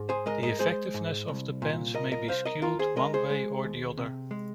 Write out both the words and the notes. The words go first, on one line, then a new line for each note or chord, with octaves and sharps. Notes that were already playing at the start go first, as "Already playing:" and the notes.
The effectiveness of the pens may be skewed- one way or the other.
Already playing: G#2
G#4 C5
G#3 A#4 D#5
A#4 D#5
G#3 G#4 C5
G#2
C2
A#2
C2 A#4 D#5
A#4 D#5
C2 C5 F5
A#4 D#5
D#2 F4 A#4
G#4 C5
G#3 A#4 D#5
G#4 C5
G#3
D#2
C3
G#3